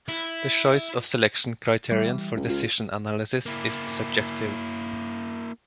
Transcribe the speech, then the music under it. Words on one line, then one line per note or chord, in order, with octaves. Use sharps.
The choice of selection criterion for decision analysis is subjective.
E4
E3 G3
C#2
F4
A#3 E4